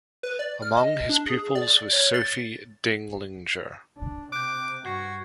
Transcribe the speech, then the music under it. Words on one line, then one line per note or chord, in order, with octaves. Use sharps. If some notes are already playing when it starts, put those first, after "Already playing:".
Among his pupils was Sophie Dinglinger.
B4
D5
F6
D#5
D4
G#4
D5
C#5
A6
D4
C3 D6 F#6 G6
G2 F#4 C#6 G#6 C7